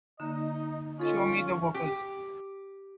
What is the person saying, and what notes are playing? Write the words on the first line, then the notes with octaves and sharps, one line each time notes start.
Show me the workers.
D3 A#3 D#4 D#5
C#4 D#4 F4 A4 D#5
G4